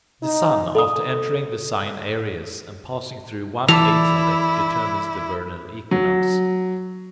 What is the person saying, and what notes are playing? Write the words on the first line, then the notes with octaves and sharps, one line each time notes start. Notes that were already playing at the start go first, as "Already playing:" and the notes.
The sun, after entering the sign Aries and passing through one eighth of it, determines the vernal equinox.
D#4
A4 D#6
E3 E4 A4 D5 F7
F#3